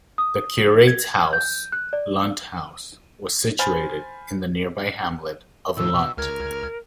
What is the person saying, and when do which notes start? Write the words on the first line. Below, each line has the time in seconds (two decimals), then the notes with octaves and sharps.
The curate's house, Lunt House, was situated in the nearby hamlet of Lunt.
0.18 D#6
0.87 G#6
1.33 G6
1.72 F#6
1.93 D5
3.59 C5 G#5 B5 F6 A6
5.77 A2 D#3 F3 E6
5.94 B2
6.17 C#2 A#4 F6 G#6